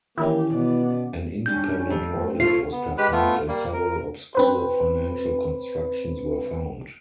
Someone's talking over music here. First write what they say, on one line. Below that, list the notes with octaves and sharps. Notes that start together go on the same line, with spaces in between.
An independent audit was performed and several obscure financial constructions were found.
D#3 E3 A#3 C#4 E4 G4
B2 B3 D5
G3 C#4 D4 G6
F2
A3 C4
F4 A4 C5 C#5 C7
B3
G#3 G4 B4 B5
A3 B3 F4
G3 A#3
A#4
C4 B4 C5